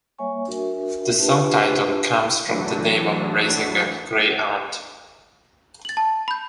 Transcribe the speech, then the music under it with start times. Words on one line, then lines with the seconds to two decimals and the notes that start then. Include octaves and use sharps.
The song title comes from the name of a racing greyhound.
0.18 G3 A#3 C#5 E5 G#5 C#6
0.47 D4 F#4 A#4 E5
1.19 D4 F4 G4 B4 E5 A5
2.44 E3 F#3 A3 D4
5.85 A6 F#7
5.97 A5
6.28 B5 G6